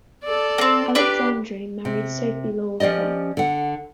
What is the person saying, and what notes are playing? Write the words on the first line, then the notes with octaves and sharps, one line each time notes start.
Alexandre married Sophie Lafleur.
A4 D5
A#3 C4
D4 G4 B4 D5
C3
F3 C#4 G4 D5 D#5
D3 F#5